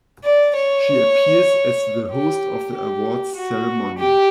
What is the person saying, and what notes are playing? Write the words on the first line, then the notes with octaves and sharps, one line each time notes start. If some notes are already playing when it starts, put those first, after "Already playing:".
She appears as the host of the awards ceremony.
D5
C#5
G4
G4
F#4
G4